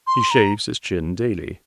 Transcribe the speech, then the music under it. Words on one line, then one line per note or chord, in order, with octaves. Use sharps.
He shaves his chin daily.
C6
A#5